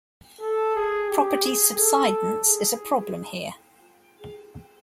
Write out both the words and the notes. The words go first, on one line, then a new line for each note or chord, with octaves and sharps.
Property subsidence is a problem here.
A4
G#4
G4
G#4
A4
G#4